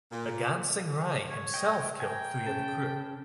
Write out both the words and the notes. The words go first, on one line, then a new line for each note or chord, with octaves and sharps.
Agansing Rai himself killed three of the crew.
A#2
C#5
D#5 G5
A#4 G5 G#5
C#3 A5